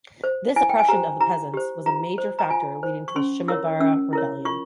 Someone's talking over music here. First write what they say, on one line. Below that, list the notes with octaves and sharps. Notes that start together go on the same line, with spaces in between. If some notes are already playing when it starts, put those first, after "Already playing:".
This oppression of the peasants was a major factor leading to the Shimabara Rebellion.
C5
E4 G#5
G5
G#5
G4 C5 A#5
E4 A#5
G4 C5
F4 A#5
C5
A#5
F4 G#5
C5
C#6
C#4 C6
E4 A#4 C#5 E6
C#4 E6
E4 A#4 C#5
F4 C#6